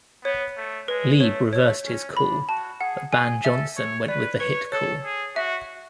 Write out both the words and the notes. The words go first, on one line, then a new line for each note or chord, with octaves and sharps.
Lieb reversed his call, but Ban Johnson went with the hit call.
B3 C#5
A3
G#3 B4
A3 C#5
A3 C#5
C#4
D4 B5
F#4 A5
G#4 F#5
G#4 G#5
A4 E5
C#5
B4 D5
B4 C#5
A4 C#5
G#4
F#4 E5